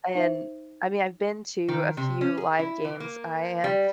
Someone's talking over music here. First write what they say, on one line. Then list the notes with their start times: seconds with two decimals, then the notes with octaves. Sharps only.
and, I mean, I've been to a few live games. I am
0.15 D#4 C5 E5
1.68 D#3
1.97 C3
2.21 C#4
2.37 G#4
2.59 E4
2.85 E3
3.00 A#3
3.64 G3